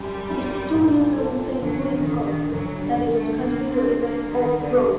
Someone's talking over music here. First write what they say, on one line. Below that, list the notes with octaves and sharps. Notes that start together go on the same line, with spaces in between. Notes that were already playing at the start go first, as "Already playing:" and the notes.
Its studios are in Saint Louis Park, and its transmitter is in Oak Grove.
Already playing: F#2 G3
F#2
A#2
A4
D2 F#3
D#3
D2
D#3
D2 F#3
G3
D2
A3
D2 A#3
C4
D4
A#3
D#3 G3
D3
G3